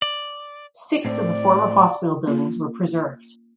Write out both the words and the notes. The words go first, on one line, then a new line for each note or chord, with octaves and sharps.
Six of the former hospital buildings were preserved.
D5
A2 C4 D5
A#3 C#4 F4